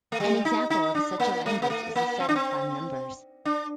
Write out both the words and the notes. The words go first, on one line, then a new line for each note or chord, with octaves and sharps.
An example of such a language is the set of prime numbers.
A3
G3
D#4
D#4
D4
A#3
A3
A#3
A3
A#3
C4
D4
C4
D4